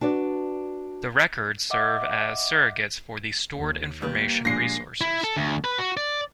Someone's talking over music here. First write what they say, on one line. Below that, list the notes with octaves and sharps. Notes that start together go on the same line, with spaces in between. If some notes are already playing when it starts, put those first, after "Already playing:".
The records serve as surrogates for the stored information resources.
D4 F#4 B4 D5
D#5 E5 F#5 D6
D#2
D#3 G3 A#3 B4
A#2 F3 G3 G#3 D4 A#6 C7
E4
A4
D2
B4
F#4
D5